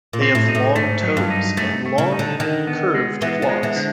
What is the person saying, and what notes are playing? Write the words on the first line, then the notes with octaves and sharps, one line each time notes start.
They have long toes and long, curved claws.
A#2
C4
A2
D#4
A2
G#2 A3
F#3
G2
D#4
F#2 A3
A3
C#3
D#4
D3
D3 D#3
B3
G#3
E3 B3
F3
G#3
E3
D3